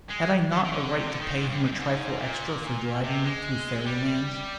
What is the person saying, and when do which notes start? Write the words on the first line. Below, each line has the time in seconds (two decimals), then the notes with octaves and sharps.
Had I not a right to pay him a trifle extra for driving me through fairy-land?
0.10 G#3
0.52 D#3
0.64 D#3
0.72 D3
0.94 C3
1.08 D3
1.21 D#3
1.36 G#2
1.49 G2
1.63 G#2
1.72 G2
1.79 G#2
2.19 A#2
3.04 C3
3.24 G#3
3.86 G3